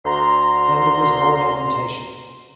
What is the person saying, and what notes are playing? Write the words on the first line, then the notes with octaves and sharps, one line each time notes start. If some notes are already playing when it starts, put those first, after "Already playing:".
Then there was more lamentation.
D2 A#5 C6